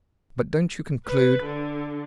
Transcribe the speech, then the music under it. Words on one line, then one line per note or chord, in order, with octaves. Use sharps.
"But don't you conclude--?"
B4
D3